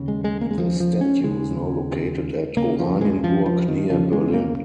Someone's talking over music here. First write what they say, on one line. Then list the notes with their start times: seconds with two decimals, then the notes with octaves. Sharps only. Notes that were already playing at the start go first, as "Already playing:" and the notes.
The statue is now located at Oranienburg near Berlin.
Already playing: D#2 C#3
0.08 G#3
0.24 G#3
0.41 A#3
0.51 G#3
0.58 F3
0.80 F3
1.01 C#4
1.24 D#2 C#3 G#3
2.57 D#2 C#3 A#3
2.79 F3
3.01 G#3
3.24 F3
3.46 F3
3.68 D#3
3.90 C#2 C#3 F3
4.13 G#3
4.34 A#3